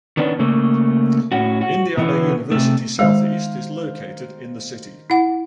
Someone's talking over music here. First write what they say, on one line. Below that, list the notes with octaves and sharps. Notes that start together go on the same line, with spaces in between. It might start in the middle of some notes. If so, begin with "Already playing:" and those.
Indiana University Southeast is located in the city.
D#3 B3 C#4 D4
C#3 A3 A#3
A2 C#4 F#4
F#4
B2 E3 B3
C3 A3
D#3 G#3 C5 F5
E4 F#5